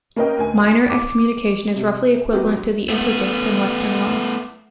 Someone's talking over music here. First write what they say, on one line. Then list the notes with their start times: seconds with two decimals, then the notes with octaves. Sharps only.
Minor excommunication is roughly equivalent to the interdict in Western law.
0.16 A#3 C#4 A#4 B4 D#5 G5
0.38 D2 G#5
0.90 D6
1.76 C3
2.33 F#3 B3 G4
2.90 A3 B3